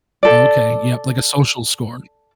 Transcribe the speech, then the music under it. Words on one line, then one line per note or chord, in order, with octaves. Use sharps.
Okay, yup, like, a social score.
A4 D5